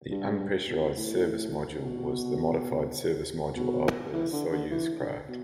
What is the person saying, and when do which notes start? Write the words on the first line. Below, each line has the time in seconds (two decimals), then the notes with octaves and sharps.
The unpressurized service module was the modified service module of a Soyuz craft.
0.11 G2
0.68 E2
0.97 A2
1.83 B2
3.56 B2
4.14 E3
4.32 D3
4.51 D3
4.71 E3
4.99 D3
5.28 B2